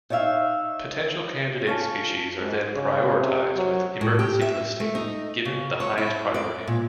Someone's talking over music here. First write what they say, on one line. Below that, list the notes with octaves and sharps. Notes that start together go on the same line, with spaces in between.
Potential candidate species are then prioritized, with "emergency listing" given the highest priority.
D#4 C#5 D5 E5 F5
C#4 F4 A4
G#2
C#3
C3
F#3
A2
G4
E5
A3
D#4
C#3
C#5
E4
D5
A#2